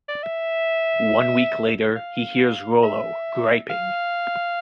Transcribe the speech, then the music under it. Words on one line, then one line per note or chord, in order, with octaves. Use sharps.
One week later, he hears Rollo griping.
D5
E5
F5
E5
F5